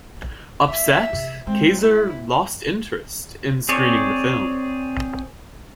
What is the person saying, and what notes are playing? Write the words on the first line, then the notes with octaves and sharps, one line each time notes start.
Upset, Kayzer lost interest in screening the film.
E4 E5
C3
G#3 C4
E4
C4 G#4 C#5 D5